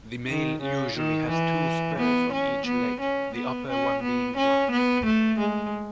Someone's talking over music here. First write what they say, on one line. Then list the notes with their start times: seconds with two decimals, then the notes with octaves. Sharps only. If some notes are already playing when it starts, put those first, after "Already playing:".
The male usually has two spurs on each leg, the upper one being blunt.
0.28 D#3
0.62 C#3
0.96 D#3
1.30 E3
1.99 B3
2.33 C#4
2.67 B3
3.01 C#4
3.35 B3
3.69 C#4
4.03 B3
4.37 C#4
4.71 B3
5.06 A3
5.39 G#3